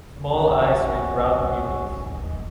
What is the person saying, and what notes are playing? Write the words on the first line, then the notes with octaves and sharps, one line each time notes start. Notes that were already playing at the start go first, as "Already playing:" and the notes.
Small eyes with round pupils.
C#4 F#4